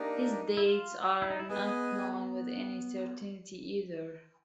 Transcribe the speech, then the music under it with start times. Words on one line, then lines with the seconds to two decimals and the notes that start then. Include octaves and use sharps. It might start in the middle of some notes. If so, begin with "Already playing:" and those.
His dates are not known with any certainty either.
Already playing: A#3 D4 D#4 G4 A#4 D5
0.57 E4
0.66 F4
1.22 E4
1.30 D#4
1.39 E4
1.49 B3 G#4 B4 D#5 G#5